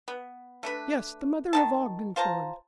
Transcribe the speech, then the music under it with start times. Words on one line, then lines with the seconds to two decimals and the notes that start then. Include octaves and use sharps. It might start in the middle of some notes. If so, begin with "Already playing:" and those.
Yes, the mother of Ogden Ford.
0.08 B3
0.63 A3 D4 B4
1.53 D#3 E4 A5
2.16 F4 C5 A5 A#5